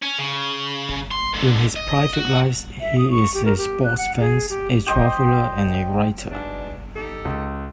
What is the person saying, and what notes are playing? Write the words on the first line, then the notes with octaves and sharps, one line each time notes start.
In his private life, he is a sports fan, a traveller and a writer.
C#4
C#3
C6
G#2 D3
D#5
F#4
E5
D#6
C#6
G4
A#4
G4
F#6
F#5
G#4
G4
G4 C5 D#5 G5
G#2 B2 D4
D#4 G4 A4
C#2